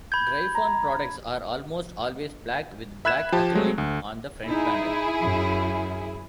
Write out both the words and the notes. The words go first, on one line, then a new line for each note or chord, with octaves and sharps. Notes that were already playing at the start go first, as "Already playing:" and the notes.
Gryphon products are almost always black, with black acrylic on the front panel.
B5 G6 G#6
A#5
E5 B5 F#6 G#6 E7
F3 G4 A5
F#3 G#3 A3 C4
D2
D#4 E4 G#4
F#2